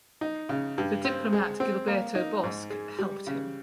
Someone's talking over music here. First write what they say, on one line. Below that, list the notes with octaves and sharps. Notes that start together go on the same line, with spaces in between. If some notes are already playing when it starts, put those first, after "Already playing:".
The diplomat Gilberto Bosques helped him.
D#4
C#3
G2
C4
G#3
C4
A#3
D#4
G#2
G#3
G3
C#3